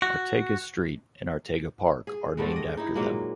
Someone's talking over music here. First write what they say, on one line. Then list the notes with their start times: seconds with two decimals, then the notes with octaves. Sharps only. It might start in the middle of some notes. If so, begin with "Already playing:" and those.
Arteaga Street and Arteaga Park are named after them.
0.02 F#4
2.07 G#4
2.37 G2 D3 G3 G#3
2.52 D5 D#5
2.77 D#4 E4
2.95 A#2 F#3 G#3 A#3